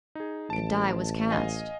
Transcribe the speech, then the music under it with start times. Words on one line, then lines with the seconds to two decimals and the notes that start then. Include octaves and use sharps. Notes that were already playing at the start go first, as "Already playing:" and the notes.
The die was cast!
0.15 D#4 G#4
0.50 A1 A5 D7
1.31 D#5 F5 G#5